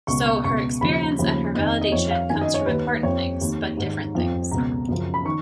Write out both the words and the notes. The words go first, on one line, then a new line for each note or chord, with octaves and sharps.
So her experience and her validation comes from important things, but different things.
C#2 B2 C#6
C#6
C#2 B2 C#6
D#2 C#3 F3 B5
D#2 C#3 F3
F2 D#3 D#5
D#5
F2 F3 C#5
F5
F#2 D#3 G#5
D#5
C#5
D#2 D#3 B4
F2 F3 C#5
D#2 D#3
G#2 D#3
F2 F3
C#2 B2 A#5
F#2 C#3 F3
B5
D#3 C#6